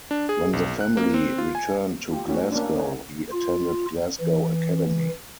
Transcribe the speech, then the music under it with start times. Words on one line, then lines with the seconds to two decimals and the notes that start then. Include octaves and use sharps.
When the family returned to Glasgow he attended Glasgow Academy.
0.11 D4
0.29 G#4
0.53 B1
0.81 F#6
0.97 A#3
1.14 C4
1.38 F4
1.55 G#5
2.10 F4 G4
2.27 A3 C#4 E4 F#4
2.52 A#3 C#4 D4
2.75 C#4 D#4
3.32 F4
4.20 E3